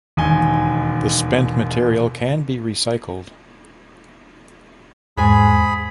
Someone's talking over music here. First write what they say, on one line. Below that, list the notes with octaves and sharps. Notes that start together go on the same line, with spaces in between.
The spent material can be recycled.
E1 D#2 D#3 G#5 G7
E2 G#2 G#4 G#5 B5